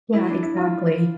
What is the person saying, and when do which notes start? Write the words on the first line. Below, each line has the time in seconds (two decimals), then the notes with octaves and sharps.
Yeah. Exactly.
0.14 E4
0.30 D4
0.43 E4
0.57 F4